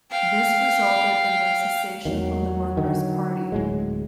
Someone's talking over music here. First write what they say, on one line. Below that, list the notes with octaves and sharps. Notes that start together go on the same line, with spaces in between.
This resulted in their secession from the Workers Party.
F5 G5
E2 D#3 F#3
D3 D#3
D1 A2 G#3